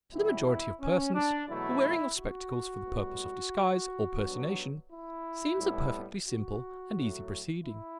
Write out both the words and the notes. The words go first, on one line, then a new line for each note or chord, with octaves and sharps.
To the majority of persons, the wearing of spectacles for the purpose of disguise or personation, seems a perfectly simple and easy proceeding.
E2 B2 G3 E4
C#4
D4
E2 B2 F#3 A3 E4
F#4
A2 G3 B3
G2 F#3 B3
E4
A2 G3 B3
F#4
A2 F#3 A3
E4